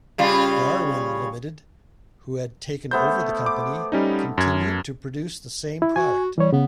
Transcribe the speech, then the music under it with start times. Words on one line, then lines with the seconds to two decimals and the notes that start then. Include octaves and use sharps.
Darwin Limited, who had taken over the company, continued to produce the same product.
0.18 C#3 G3 F4
2.91 A3 B3 C5 G6
3.46 D6
3.92 G3 C#4 D#4
4.38 F#2 G#6
5.82 E4
5.96 F#4 G#5
6.38 E3 G3 C#5
6.53 C#3 B3